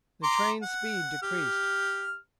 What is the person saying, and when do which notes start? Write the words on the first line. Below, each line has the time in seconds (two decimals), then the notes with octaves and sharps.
The train's speed decreased.
0.23 A#5 C6 D6
0.62 F#5
1.23 G4 F6